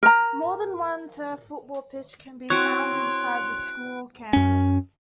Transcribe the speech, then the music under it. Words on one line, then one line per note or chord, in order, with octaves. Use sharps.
More than one turfed football pitch can be found inside the school campus.
A#4 A#5
C4 E4 F#4 C#5 C6 F#6 D7
F#2 C#4